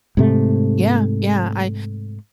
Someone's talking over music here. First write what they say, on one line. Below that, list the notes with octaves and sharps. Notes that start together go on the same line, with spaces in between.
Yeah. Yeah. I
G#2 C3 A3